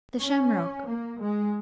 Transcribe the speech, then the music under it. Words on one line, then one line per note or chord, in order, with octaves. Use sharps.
The Shamrock.
C#4
A#3
G#3